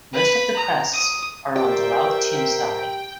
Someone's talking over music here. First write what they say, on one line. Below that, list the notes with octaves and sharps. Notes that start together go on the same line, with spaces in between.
Most of the crests are on the Laotian side.
B4 B5
A#5
D#6
G4 A#4 C5 D5 E5 G5